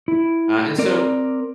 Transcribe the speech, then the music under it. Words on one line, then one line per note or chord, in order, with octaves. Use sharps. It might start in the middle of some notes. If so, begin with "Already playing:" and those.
Uh, and so,
E4
C4 A#4 D5